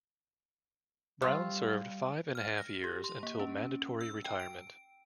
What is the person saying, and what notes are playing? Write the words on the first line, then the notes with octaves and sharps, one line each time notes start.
Brown served five and a half years until mandatory retirement.
G3 A3 C4 F4
F6
A#6
G4
C6
A#3
C#4
E6
G5
D7